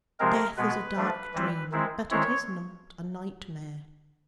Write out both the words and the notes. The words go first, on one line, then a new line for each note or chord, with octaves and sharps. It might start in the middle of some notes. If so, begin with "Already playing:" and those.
Death is a dark dream, but it is not a nightmare.
C3 F3 G#3 C4 A#4
B2 G#3 B3 B4
F3 A3 D4
E3 G3 C4 E4
D#3 G#3 C4 E4
D#3 G#3 C4 E4 C#5